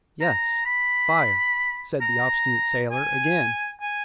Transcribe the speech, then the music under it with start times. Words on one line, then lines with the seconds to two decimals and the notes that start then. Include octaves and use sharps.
"Yes, fire!" said the obstinate sailor again.
0.21 A#5
0.66 B5
2.01 A#5
2.91 G#5
3.82 G#5